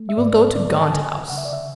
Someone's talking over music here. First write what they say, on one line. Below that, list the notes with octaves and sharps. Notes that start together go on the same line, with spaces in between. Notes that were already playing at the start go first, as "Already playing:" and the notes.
You will go to Gaunt House.
Already playing: A3
E5
G#2 D5
D3 D5
A5
D3 G#5
C#3 F#5
E5
D5
E5